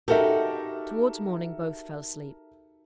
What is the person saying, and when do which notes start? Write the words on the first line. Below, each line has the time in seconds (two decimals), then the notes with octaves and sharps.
Towards morning both fell asleep.
0.08 D#4 F#4 G4 A4 A#4 E5